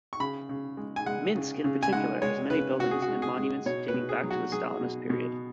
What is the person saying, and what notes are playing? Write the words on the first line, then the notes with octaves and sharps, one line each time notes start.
Minsk in particular has many buildings and monuments dating back to the Stalinist period.
C#6
C#3 B5
C#3
G#3
G#5
G#3 F#5
C#3
C#3
G#5
G#3 F#5
G#3 C#5
C#3 B4
C#3 F#4
G#4
F#4
G#3
G#4
G#3
B2 C#5
B4
B2
G#4
F#3
F#4
F#3 G#4
B2
B2